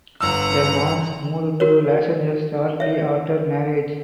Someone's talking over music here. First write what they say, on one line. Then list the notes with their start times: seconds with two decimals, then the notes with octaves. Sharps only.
The Bonds moved to Los Angeles shortly after marriage.
0.21 G1 F#5 A#5 E6
1.60 F#4 A#4 C#5
2.80 C#5 E5